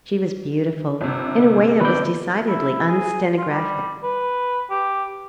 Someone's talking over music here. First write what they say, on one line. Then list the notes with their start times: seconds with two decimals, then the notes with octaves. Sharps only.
She was beautiful in a way that was decidedly unstenographic.
1.01 G1 C3
1.80 D#3 B3 B4 D5 G6
2.48 E4
2.89 G#4
3.38 F4
3.49 G3
4.03 B4
4.70 G4